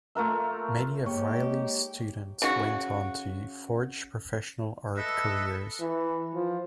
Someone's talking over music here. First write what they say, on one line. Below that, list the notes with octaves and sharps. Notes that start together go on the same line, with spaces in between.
Many of Reilly's students went on to forge professional art careers.
A3 F4 A#4 E5
G#3 A#3 D#4 G4 C#5 C#6
C#3 F#4
A4 B4 D#5 E5
E3
F3